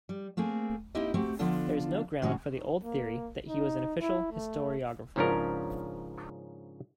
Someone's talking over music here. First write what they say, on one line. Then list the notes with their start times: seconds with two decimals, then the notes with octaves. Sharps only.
There is no ground for the old theory that he was an official historiographer.
0.09 G3
0.37 A3 A#3 C4 G#4
0.95 A#3 C4 D#4 E4 G4 D#5
1.14 A3 C4 F#4 G4
1.39 D3 F3 B3 D4 F4 A4
2.22 A2 D#3 G#3 C#4 F#4 G#4
2.84 A#3
3.48 D#4
4.01 E4
4.32 A3
5.16 G#2 C#3 F3 C#4 D4 A#4